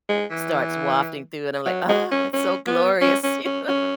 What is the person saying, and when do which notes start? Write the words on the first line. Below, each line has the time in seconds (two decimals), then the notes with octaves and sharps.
starts wafting through and I'm like, "Oh, it's so glorious." You know?
0.09 G#3
0.31 E3
1.66 F#3
1.89 G#3
2.11 C#4
2.33 C#4
2.67 B3
3.01 C#4
3.24 C#4
3.46 C#4
3.68 C#4